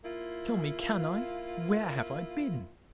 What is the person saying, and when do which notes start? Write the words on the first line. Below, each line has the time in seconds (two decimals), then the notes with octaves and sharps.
Tell me! can I?--Where have I been?
0.05 A#3 E4 F4